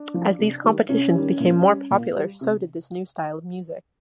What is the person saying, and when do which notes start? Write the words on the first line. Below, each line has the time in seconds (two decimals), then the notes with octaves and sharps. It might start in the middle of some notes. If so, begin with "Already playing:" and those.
As these competitions became more popular so did this new style of music.
Already playing: D4
0.14 F3
0.39 C3
0.64 D#3 G3
0.89 C3 C#4
1.15 D#3 G3
1.40 A#2
1.65 G3
1.91 A#2
2.16 G3
2.41 C3